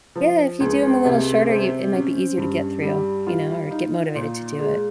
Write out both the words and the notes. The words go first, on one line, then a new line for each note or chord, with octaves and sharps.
Yeah, if you do 'em a little shorter, you it might be easier to get through, you know, or get motivated to do it,
F3
C#2
C3
C4
C#4
G2
G3
F4
D#4
A#2
G#3